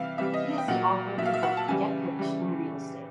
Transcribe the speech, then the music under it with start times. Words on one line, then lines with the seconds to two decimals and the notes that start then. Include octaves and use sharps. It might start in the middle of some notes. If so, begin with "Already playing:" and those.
He is the author of the book "Get Rich in Real Estate".
Already playing: C3 E3 G3 E5 F5
0.18 C3 E3 G3 E5
0.34 D#5
0.58 G5
0.68 A#2 F#3 F#5
1.17 A#2 E5
1.22 F#3 F5
1.33 E5
1.43 F#5
1.57 A5
1.68 C#3 E3 G3 G#5
2.19 C#3 E3 G3